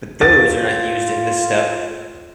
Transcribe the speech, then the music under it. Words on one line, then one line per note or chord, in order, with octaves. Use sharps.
But those are not used in this step.
F4 A6